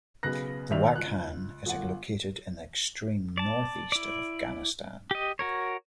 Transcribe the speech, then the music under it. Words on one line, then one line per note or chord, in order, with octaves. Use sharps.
The Wakhan is located in the extreme north-east of Afghanistan.
B1 C#3 B3 F#6 A#6
D#2 D#3 D5 E5 F7
C#2 F#6
G1 F#5
D5 A5
E4 D5
G4 D#5
F#4 A#4 C#5